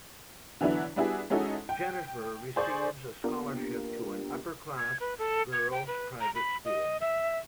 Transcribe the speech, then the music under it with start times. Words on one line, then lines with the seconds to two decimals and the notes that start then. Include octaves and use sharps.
Jennifer receives a scholarship to an upper-class girls private school.
0.61 D3 E3 F#3 B3 D4 E4
0.96 G3 B3 D4 E4 F#4 G#4
1.30 G#3 C#4 D#4 E4 F#4 A4
1.69 G5
2.56 G#4 C5 D5 G#5 C#6
3.24 A#3 B3 D4 F4 G4 A#4
4.78 G#6
5.00 B4
5.19 A4
5.52 G#6
5.72 G5
5.87 B4
6.21 A#5
6.35 B5
6.65 D#5
7.01 E5